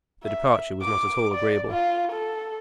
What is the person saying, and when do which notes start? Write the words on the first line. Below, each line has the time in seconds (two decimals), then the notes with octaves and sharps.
The departure was not at all agreeable.
0.24 E5
0.82 D6
1.35 D5
1.70 F4
2.12 A4